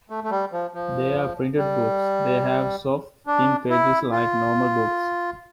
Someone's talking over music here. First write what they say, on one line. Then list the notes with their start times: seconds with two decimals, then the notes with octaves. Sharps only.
They are printed books, They have soft, thin pages like normal books.
0.10 A3
0.24 A3
0.31 G3
0.52 F3
0.74 F3
1.57 G3
3.27 D4
3.70 E4
4.12 F4